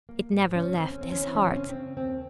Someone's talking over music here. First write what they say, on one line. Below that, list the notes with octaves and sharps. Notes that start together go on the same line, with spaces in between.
It never left his heart.
A#3
G#2
C#3 C#4
D2 C4
C#4
E3 C4
C#4
E3 C4
C#4
C#3 C4
C#4
C#3 C4
D#2 C4